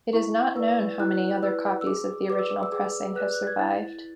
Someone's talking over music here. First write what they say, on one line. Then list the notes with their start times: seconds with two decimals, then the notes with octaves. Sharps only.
It is not known how many other copies of the original pressing have survived.
0.13 E4 C#6
0.56 B4 D5 E6
1.00 E4 F#6
1.42 B4 D5 E6
1.81 E6
1.87 G#4 D6
2.30 B4 D5 D6
2.39 E6
2.50 D6
2.63 E6
2.72 G#4 D6
3.15 B4 D5 F#6
3.34 F#6
3.47 G#6
3.59 E4 A6